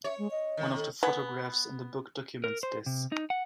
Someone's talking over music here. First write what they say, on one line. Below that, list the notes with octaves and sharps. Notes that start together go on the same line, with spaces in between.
One of the photographs in the book documents this.
C#5 E5
G#3
D#5
D#3
A4
B3 B4 F#5 G#5
A#4
C5
C3
D#4
F#5